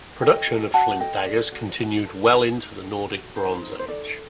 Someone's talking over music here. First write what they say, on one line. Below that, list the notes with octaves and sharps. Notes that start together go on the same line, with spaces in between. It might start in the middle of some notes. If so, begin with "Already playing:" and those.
Production of flint daggers continued well into the Nordic Bronze Age.
A4 D#5 G5
F#4
F#4 F#5 A5
A4 D#5 G5
A4 D5
F#4
F#4
A4
D#4
D#4
A4
F#4
D#4 C5
D#4
C5
A4 D5